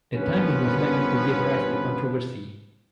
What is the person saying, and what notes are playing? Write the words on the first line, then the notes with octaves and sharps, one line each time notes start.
The timing was likely to give rise to controversy.
G1 D#2 F3 B3 C#4 B4